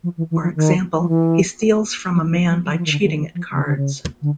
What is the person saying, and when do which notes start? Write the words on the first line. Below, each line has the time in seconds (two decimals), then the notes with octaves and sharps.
For example, he steals from a man by cheating at cards.
0.03 F3
0.17 E3
0.30 E3
0.42 F3
0.56 D#3
0.98 F3
1.08 E3
2.12 F#3
2.24 F3
2.29 E3
2.48 F#3
2.65 F#3
2.72 E3
2.78 F3
2.86 D#3
2.91 D3
3.04 D#3
3.18 E3
3.34 F3
3.52 C#3
3.64 D3
3.76 C#3
4.21 D3